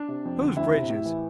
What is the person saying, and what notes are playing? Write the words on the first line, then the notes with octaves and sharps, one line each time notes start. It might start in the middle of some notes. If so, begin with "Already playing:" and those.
Whose bridges?
Already playing: D4
C3
F2
D3
D2 E4
C3
A2
E3